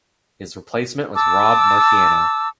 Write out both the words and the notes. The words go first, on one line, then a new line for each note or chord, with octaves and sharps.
His replacement was Rob Marciano.
A5 D6 E6